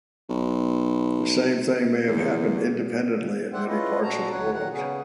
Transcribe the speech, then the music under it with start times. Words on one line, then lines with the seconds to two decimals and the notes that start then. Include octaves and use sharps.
The same thing may have happened independently in many parts of the world.
0.30 B1
2.08 E2
3.53 C5 D5 E5 F#5 G5
3.67 C#4 E4 F4 G#4 B4 D#5
4.03 A#2 F#4 A5 A#5
4.31 D2 F#3 C#5 F#5
4.53 A#2 D#3 F#3 F#5
4.71 C#3 B3 C#4 G#4